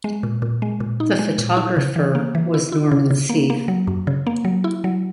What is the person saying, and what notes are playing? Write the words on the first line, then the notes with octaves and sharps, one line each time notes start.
The photographer was Norman Seeff.
G#3
A#2
A#2
G#3
A#2
D#4
G#3
A#2
E4
C#3
E3
A#3
E3
E4
E4
C#3
C#3
A#3
A#3
F#3
F#2
C#3
A#3
F#3
E4
F#3